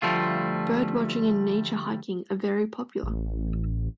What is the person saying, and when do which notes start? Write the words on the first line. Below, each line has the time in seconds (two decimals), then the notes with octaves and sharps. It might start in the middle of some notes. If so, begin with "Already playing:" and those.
Bird watching and nature hiking are very popular.
0.02 D2 F3 G3 A3 F4
3.03 A1